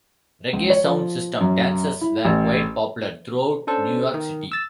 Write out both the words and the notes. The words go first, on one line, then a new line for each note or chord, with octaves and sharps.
Reggae sound system dances were quite popular throughout New York City.
C#2
C#5
F3
F#2
E4
A1
C#4 D4 A4 C5
D#3
E6 A6